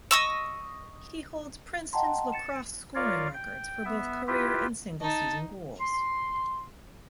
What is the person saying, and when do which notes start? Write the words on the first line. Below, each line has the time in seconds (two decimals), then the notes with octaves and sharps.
He holds Princeton's lacrosse scoring records for both career and single-season goals.
0.11 D#5 C#6 E6
1.93 D#5 F#5 G5 A5 A#5 C6
2.32 A6 C#7 E7
2.95 F4 A#4 C#5 D5 F5
3.34 G5
3.85 B3 E5
4.27 E4 F4 G4 B4
5.01 D#4 A5
5.81 C6